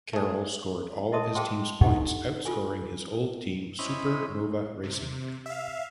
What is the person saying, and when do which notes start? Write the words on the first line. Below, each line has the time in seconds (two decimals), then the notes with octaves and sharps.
Carroll scored all of his team's points, outscoring his old team Super Nova Racing.
0.13 A3 G#4
1.12 D#5 E5 A5 C6 D#6
1.35 G#4 C5 F5 G5 A5 C6
1.81 D4 D#4 G4 A4 F#5
2.45 F4 A4 G#5
3.79 C4 C#4 E4 D#5 B5
4.83 C3
5.46 E5 F5